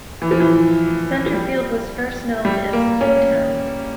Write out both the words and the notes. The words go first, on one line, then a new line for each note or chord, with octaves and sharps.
Centerfield was first known as Skin Town.
E3
F3
E3
F3
G3
G3
A#3
C#4